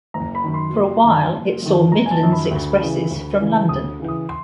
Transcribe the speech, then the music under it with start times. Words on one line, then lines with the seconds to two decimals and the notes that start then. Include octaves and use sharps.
For a while it saw Midlands expresses from London.
0.14 F#1 A#5
0.35 B5
0.44 F#2 D#3
0.54 C6
0.73 F#1
1.04 F#2 D#3
1.33 F#1
1.62 F#2 D#3
1.92 F#1 A#5
2.06 G#5
2.11 A5
2.22 F#2 D#3
2.32 B5
2.51 D2
2.81 C#3 E3
3.11 D2
3.40 C#3 E3
3.69 D2 D#6
3.99 C#3 E3
4.08 D#6
4.29 C6